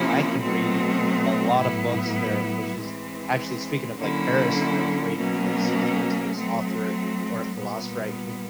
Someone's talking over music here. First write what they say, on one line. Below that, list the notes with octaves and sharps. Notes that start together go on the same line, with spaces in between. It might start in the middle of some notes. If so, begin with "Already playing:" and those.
I can read a lot of books there, which is actually speaking of like, Paris, I was reading this uh, there's this author, or a philosopher, I could
Already playing: C3 F3 A#3 C#4 E4
B2 F#3 A3 C4
A2 F#3 B3 E4
E3 G#3 C4
D3 F#3 A#3 C#4 E4
B2 F#3 A#3 C#4
F#3 A3 C4
A#2 G3 B3